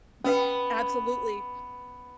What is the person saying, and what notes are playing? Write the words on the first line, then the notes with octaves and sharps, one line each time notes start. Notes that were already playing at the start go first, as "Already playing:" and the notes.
The absolutely.
B3 C#4 B4 G5